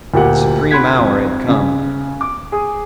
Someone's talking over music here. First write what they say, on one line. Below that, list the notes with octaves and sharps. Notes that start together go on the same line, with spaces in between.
The supreme hour had come.
D2 A#2 A#3 G4 F#5
B5 C6 F#6 G#6 B6
F2
C#3
D6
G#4 D#6